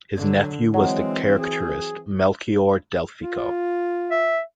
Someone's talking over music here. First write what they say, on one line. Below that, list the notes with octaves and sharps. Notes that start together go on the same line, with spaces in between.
His nephew was the caricaturist Melchiorre Delfico.
D3 F#3
E3 F#3 G#3 C4
G#4
F4
E5